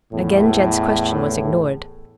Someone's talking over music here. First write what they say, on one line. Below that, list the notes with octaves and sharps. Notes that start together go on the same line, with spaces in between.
Again Jed's question was ignored.
E2 A2